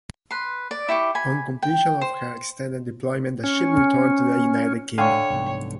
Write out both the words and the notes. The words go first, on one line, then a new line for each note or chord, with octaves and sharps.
On completion of her extended deployment the ship returned to the United Kingdom.
B4 C6
D5
E4 G4 C#6 D6
G#5 B5
G5
C5
C#4
D3 C#5 F5 G5 G#5 C#6
C2 G#2 B3